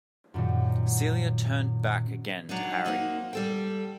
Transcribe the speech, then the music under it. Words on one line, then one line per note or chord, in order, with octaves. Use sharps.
Celia turned back again to Harry.
F#2 A#2 D#3 F#3
F#3 D4 D#4
A#3 C4 D#4 F#4
G3 A4 G5